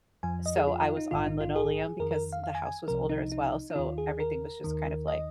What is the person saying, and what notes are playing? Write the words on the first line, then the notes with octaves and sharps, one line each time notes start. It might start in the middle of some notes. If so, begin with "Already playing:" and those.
So I was on linoleum because the house was older as well. So everything was just kind of like,
F2 F3 G#5
D#5
G#4
F4
F4
D#4
A#1 G#2 D#3 F4
D#4
F4
G#4
F2 D#3 A#4
A#4
F5
F5
G#5
G#5
C2 C3 F3 A#4
D#4
D#4
D#4
D#2 D#3 F4
G#4
A#4
D#2 D#3
D#5